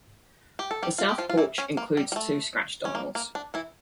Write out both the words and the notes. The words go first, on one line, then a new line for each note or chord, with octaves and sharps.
The south porch includes two scratch dials.
G4
A4
G3 G4
F4
G4
F3 F4
F4
E3 E4
C#4
A#3
G3
G3
A3
C#4
A#3
A#3
D4
E3 E4